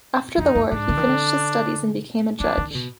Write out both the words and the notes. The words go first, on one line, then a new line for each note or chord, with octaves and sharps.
After the war he finished his studies and became a judge.
F2 D#4
F#2
G#2 D4
D3
D#3
D3
F3 D4
D#3
D3
B2